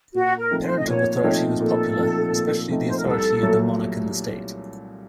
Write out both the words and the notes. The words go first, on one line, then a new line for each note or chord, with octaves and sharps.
Parental authority was popular, especially the authority of the monarch and the state.
A#2 F#4
A#4
F3 A3 C4 D#4
C5
D#5
A#2 C#5
F3 A3 C4 D#4
A#2 A4
F3 A3 C4 D#4
A#2
F3 A3 C4 D#4
C5
A#4
C2 A4
A#2 F#3 A3